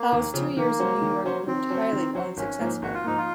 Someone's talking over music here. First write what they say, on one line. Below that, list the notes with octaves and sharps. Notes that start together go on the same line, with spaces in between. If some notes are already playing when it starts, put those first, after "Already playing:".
Howe's two years in New York proved highly unsuccessful.
Already playing: A#3
D#2
C#3 F3 C4
D#3 A#3
F#3 C#4 F#4 C5
D#3
F#3 C#4 F#4 C5
D#3 C4
F#3 C#4 F#4 C5
D#3
F#3 C#4 F#4 C5
G#1 C#4
G#2 F3 A#3
G#1 F#4
F4
G#2 F3 A#3 D#4
F4